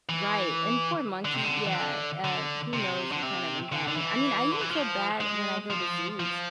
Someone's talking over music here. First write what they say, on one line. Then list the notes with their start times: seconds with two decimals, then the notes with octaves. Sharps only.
Right, and poor monkey, yeah, uh, who knows what kind of environment I mean, I even feel bad when I go to zoos.
0.09 E3
1.25 D3
1.34 C3
1.45 D3
1.66 E3
1.74 D3
2.24 D3
2.73 C3
3.12 D3
3.23 C3
3.72 D3
3.87 D3
3.97 E3
4.52 D3
4.61 E3
4.71 F3
5.21 G#3
5.70 F3
6.20 F3